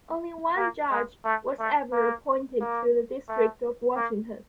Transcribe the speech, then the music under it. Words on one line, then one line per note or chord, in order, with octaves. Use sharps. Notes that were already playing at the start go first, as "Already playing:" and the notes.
Only one judge was ever appointed to the District of Washington.
A#3
G#3
A3
A3
A#3
A#3
A3
A#3